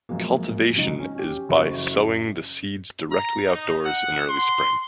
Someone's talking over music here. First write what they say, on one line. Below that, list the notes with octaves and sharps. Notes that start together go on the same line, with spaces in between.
Cultivation is by sowing the seeds directly outdoors in early spring.
F#2 F3 G#3 A#3
G#1 C#3 F#3 D#4
C#4
C#4 G4
F#1 A3 F#4 C5 E5
A#5
D#4
F#5
C6